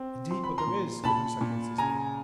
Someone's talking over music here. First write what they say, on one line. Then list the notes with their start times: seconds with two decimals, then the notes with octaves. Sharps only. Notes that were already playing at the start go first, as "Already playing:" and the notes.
"Indeed, but there is," Cahusac insisted.
Already playing: C4
0.31 F3 C6
0.44 B5
0.58 A#5 C6
0.67 A#2
1.04 A#2 A5 B5
1.41 A#2
1.78 C#3 G#5 A#5